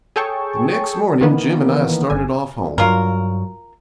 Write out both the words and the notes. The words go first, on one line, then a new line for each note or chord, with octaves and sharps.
The next morning Jim and I started off home.
G#4 A4 C#5 G5 A5 C#6
D#3 E3 A#3 B3
G1 G#5
G2 F#3 F4 A#4